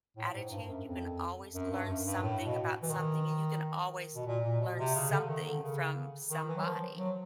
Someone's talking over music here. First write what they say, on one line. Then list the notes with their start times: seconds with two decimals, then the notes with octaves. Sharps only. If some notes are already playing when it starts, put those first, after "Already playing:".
attitude. You can always learn something about something, and you can always learn something from somebody.
0.17 A2
0.35 G#2
0.51 G2
0.68 F#2
0.85 F2
1.54 F#2
1.70 G2
1.87 F#2
2.05 G2
2.22 A2
2.44 B2
2.82 E3
2.90 D#3
4.15 B2
4.26 A#2
4.43 A#2
4.60 B2
4.78 C3
4.95 C#3
5.11 D3
5.28 D#3
5.46 D3
5.63 C#3
6.30 D#3
6.49 E3
6.57 F#3
6.65 F3
6.99 F#3